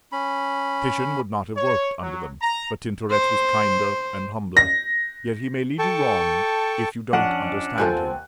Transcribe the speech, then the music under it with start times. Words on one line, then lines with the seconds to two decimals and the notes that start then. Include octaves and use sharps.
Titian would not have worked under them, but Tintoret was kinder and humbler; yet he may lead you wrong if you don't understand him.
0.12 C#4 B5
1.57 C#5
2.02 F#3
2.42 A#5
3.11 C5
4.57 A#6
5.79 A4 G5 A5 C#6
7.13 F2 C#4 D4 F#5
7.78 D#2 C4 F4 A4 G#5 F#6